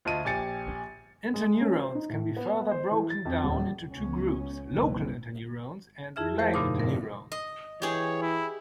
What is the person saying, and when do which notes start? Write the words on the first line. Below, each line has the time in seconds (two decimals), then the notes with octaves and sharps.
Interneurons can be further broken down into two groups: local interneurons, and relay interneurons.
0.05 D2 F4 D#5 A5 D#7
0.25 A#1 G4 G#5 A6 C#7
1.34 G#3
1.61 C#4
1.80 C5
1.95 D#4
2.09 A2
2.36 B3
2.71 C5
2.91 E3
3.10 A6
3.25 F2
3.44 D#1
3.58 G3
3.91 C#2 B3 C#4
4.70 F#1 C#2 B2 E3 C4
6.16 F2 E4 G#4 E5 F6
6.39 F3 A3 A#4 C5 G5 G6
6.54 G2 A#2 C#3 D#4 C6 D6
6.79 A#4
7.32 D#5
7.82 E3 G4 G#4 C#5
8.22 E4